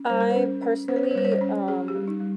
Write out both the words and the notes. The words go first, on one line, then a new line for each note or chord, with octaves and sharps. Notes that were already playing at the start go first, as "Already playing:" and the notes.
I personally, um
Already playing: C#4
G3 C5
A#4
C5
C#4
C#4
C#4 C5
C#5
C5
C#5
G3 C5
C#5
C5
C#4
C#4 G#4
G4
G3
D#4
G3